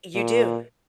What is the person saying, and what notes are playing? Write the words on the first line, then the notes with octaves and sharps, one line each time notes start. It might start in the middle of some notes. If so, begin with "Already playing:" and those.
You do.
A#2